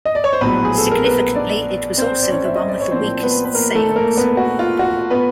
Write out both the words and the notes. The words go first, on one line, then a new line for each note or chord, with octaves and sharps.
Significantly, it was also the one with the weakest sales.
D#5
D5
C#5
C5
A#1 A2 F#3 B3 B4
G#4
A4
A#4
B3 B4
D4 D5
C4 C5
D5
C#4 C#5
E5
D#5
D5
C#5
A2 F3 A#3 C4 D4 C5
B3 B4
B4
A#3 A#4
A3 A4
A#3 A#4
B3 B4
F#4
F4
F#4
B3 B4